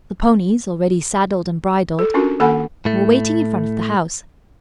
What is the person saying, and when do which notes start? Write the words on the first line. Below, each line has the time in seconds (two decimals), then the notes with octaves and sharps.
The ponies, already saddled and bridled, were waiting in front of the house.
1.99 A4
2.14 C#4 D4 F4 F#4 A#4
2.40 D#3 A#3 A4 F#5 G#5 B5
2.85 A2 A3